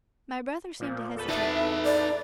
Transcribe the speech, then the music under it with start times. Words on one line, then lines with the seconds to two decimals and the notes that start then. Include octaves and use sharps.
My brother seemed to hesitate.
0.80 A#2 F3
1.15 E2 A4 B4
1.29 D#4 E5 A5
1.84 D5